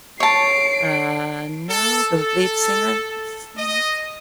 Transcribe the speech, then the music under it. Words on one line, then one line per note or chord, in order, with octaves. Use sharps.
Uh, no, the lead singer, what's his name?
C#5 A5 C7 D7
A4
A4
D#5